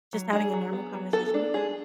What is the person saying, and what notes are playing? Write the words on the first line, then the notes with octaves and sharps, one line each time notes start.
Just having a normal conversation with them.
F#3
D4 G#4
F#3
B3
F#3
B3 A4
D4
G#3 G#4